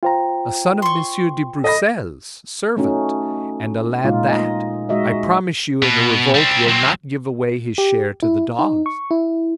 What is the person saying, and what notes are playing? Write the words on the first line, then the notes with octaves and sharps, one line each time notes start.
"A son of Monsieur de Broussel's servant, and a lad that, I promise you, in a revolt will not give away his share to the dogs."
F4 C5 G5 A#5
C6 C#6
A4 D#5 B5 A#6
A3 C#4 D#4 F#4
A#2 G#3 D#4 F4
D#4 D#5
G#3 D#4 F#4 D#5 E5
B2
G3 C4
F#3 C4
G4
E4
D#4
C#6
E4